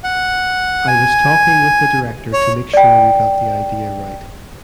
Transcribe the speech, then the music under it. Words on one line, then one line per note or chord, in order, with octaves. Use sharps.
I was talking with the director to make sure we got the idea right.
F#5
G#5
C#5
D5 G5